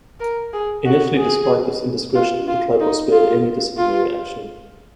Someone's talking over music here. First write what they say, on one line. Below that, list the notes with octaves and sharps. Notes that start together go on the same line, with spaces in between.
Initially despite this indiscretion, the club was spared any disciplinary action.
A#4
G#4
F#4
G#4
F4
F4
D#4
F4
F4